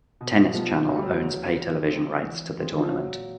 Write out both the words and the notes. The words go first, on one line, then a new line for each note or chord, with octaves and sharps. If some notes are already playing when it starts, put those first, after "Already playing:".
Tennis Channel owns pay television rights to the tournament.
B2
F3 G3 B3 D#4
D2 F#3
G3
F#3
C#3 E3
F3
G#3 C4
E3
G#3 C4 F4 G#4
F3
A#2 F#3